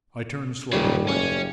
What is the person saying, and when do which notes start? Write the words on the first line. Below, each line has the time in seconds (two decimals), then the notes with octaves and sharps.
I turned slowly away.
0.73 D#1 F#2 C#3 G3
1.08 F#1 C#4